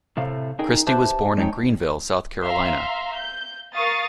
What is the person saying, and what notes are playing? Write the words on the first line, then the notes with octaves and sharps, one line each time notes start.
Christie was born in Greenville, South Carolina.
A2 C3 A3 F5
C#4 D#4 G#4 A#4 G5
G4 B4 C5 E5 A5
G#3 D#4 C#5 G5
E5 F5 A#5 C6
G6
A#4 F5 C#6 D#6 A6